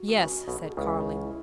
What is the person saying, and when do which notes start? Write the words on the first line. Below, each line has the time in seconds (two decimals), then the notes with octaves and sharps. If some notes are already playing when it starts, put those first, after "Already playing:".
"Yes," said Carling.
Already playing: F#4
0.08 D#3
0.18 C#2 C#3
0.48 B1 B2
0.61 G#4
0.69 F#4
0.77 C#2 C#3 E4
1.21 E4